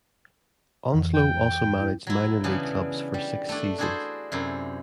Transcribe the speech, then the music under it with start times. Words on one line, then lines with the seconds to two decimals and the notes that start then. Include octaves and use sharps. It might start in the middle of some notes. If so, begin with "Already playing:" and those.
Onslow also managed minor league clubs for six seasons.
0.92 F2 E3
1.15 G5
1.80 E4
2.07 F#3 E4
2.44 C#3 E3 B3 D4
3.14 G3
3.49 A3 D4
3.78 D4 E4 F#4 G#4 A4 C5
4.32 F#2 C3 E4